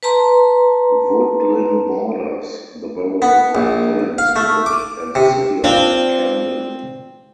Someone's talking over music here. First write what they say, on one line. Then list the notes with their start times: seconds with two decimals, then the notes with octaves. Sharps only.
Woodlynne borders the Borough of Collingswood and the City of Camden.
0.03 B4 A5 A#5 C6
3.22 B3
3.55 A#1
4.18 F5
4.36 A3
4.66 D6
5.15 C3
5.64 C4 D4 F4